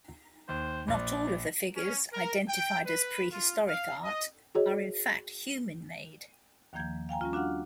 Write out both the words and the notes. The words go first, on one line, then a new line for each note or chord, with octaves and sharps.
Not all of the figures identified as prehistoric art are in fact human made.
D#2 C5
A#1 D5
C#4
A#4
G5
B4
F4
F5
D#5
F#4 G#4 C#5 D#5
D#2 D#3 F3 A#3 G6 G#6
F5 G5 G#5 A#5
G3 C#4 F4
D4 F#4 F5 F#5 F6